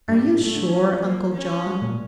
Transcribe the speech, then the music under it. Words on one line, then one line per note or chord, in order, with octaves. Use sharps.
"Are you sure, Uncle John?"
G2 G3
A2
A#2 A3
D3
F3 C#4
F3
A#3
C#4
G3
A#2